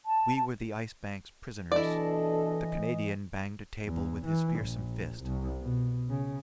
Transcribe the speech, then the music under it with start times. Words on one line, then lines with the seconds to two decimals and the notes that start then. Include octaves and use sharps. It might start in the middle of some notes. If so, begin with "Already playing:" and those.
We were the Ice Bank's prisoners! The Canadian banged a table with his fearsome fist.
0.04 A5
1.72 B2 E3 D4 E4 A4 D5 D#5
3.86 E2
4.25 E3
4.60 A#1
5.22 C2
5.62 B2
6.09 C#3